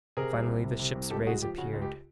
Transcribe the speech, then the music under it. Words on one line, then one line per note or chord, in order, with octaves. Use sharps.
Finally the ship's rays appeared.
C3 G#4 A#4
C2
C2
C3
C3
C2
C#2 G4 A4
C#2 F#4 G#4
F3 G4
C#3 F#4
C#2
G4